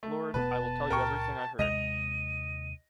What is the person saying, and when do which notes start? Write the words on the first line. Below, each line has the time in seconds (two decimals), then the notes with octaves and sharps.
Lord, I will tell you everything I heard.
0.03 A3
0.34 E1 B2 B3 B4 A5
0.90 C#2 A#2 A#4 G5 C#6
1.59 D#2 C3 G#3 D#5 A#6 D#7 F7